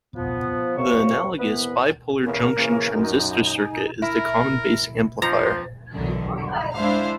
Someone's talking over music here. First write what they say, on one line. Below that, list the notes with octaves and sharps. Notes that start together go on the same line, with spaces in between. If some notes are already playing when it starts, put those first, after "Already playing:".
The analogous bipolar junction transistor circuit is the common-base amplifier.
F3 B3
E2 C3 F#3 A#3 C#6
C2 E3 B3 B4
E2 C#3 A#4
C#3 E3 A#3 C#4
F#2 D#4
G#5
E4 A#4
F2 F3 C5 A#5
B1 E2 D3 D#3 F#3
G2
G#3 D4 E4 C5 E5 F5